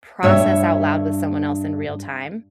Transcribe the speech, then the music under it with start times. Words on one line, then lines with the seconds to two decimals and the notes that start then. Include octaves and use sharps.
process out loud with someone else in real time.
0.23 G2 C#5 E5